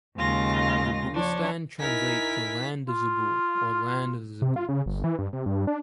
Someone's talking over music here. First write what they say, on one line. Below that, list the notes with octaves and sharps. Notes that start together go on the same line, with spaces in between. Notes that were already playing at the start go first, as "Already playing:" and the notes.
Zabulistan translates to "land of Zabul" or "land of the Zabuls".
D#2 C#3 G#3 F4 A#6
F3 D4 C#5
D#4 E4 A#4 G#5 B6
F4
C3
F4
C#3
G1
E3
G2
C3
G2
D4